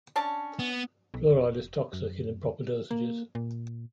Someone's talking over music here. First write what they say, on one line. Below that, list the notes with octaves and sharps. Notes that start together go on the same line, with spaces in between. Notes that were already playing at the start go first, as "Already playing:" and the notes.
Fluoride is toxic in improper dosages.
C#4 D4 A5
B3
B1
F1
F#2
A#3
A#2